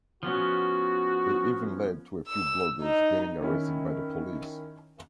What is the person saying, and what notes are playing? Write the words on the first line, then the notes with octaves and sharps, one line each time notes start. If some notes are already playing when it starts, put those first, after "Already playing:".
It even led to a few bloggers getting arrested by the police.
F3 B3 C#4 F#4
E6
D#4
D#3 C#4 E4